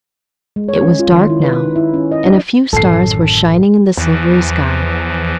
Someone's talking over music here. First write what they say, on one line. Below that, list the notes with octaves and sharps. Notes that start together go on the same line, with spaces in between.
It was dark now, and a few stars were shining in the silvery sky.
G#3
C#5
C#4
F4
D#3
E4
B4
D#4
E4
C#4
D#5
D4
A1 F#2 D#3 A4 C7
E2 E3 F3